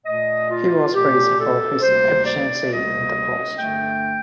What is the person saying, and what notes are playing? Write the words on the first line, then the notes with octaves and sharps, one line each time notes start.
He was praised for his efficiency in the post.
A#2 A3 D#5
F4
A#2 A3 G4
A4
D2 C3 G3 A#3 C5
D5
D2 C3 G3 A#3 D#5
G2 D3 A3 G5